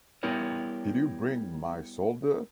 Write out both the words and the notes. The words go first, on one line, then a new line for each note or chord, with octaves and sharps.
Did you bring my solder?
G3 B3 E4 G4 A#4 C#5